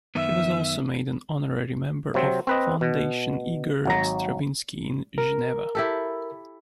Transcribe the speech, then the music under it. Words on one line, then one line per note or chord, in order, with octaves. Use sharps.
He was also made an honorary member of Fondation Igor Stravinsky in Geneva.
F#2 D#3 B3 E5
C3 F#3 C4
C4 B4 D#5
B2
G#1 F#3 A#5
A#4
E4 G4 A4